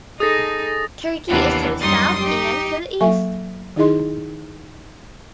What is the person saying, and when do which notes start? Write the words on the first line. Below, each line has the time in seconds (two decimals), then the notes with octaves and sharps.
Turkey is to the south and to the east.
0.20 D#4 G#4 A4 D#6 A6 A#6
1.29 D#2 C3 E3 B3 D4
1.81 F#2 G3 D#4 C6 D#6 A6
2.20 D#4 G4
3.01 F#3 A#3 A4 E5 G#5 C#6
3.76 D#3 D#4 E4 G#4 D#5 C6